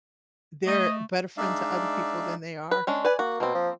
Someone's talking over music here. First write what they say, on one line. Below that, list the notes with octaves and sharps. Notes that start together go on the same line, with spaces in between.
they're a better friend to other people than they are
A3 D#5
G#3 D4 D#4 D5 E5 F5
B4
G#3 C#4 D4
B4 D5 G#5
A#3 F#4
B2 A#3 C4
F3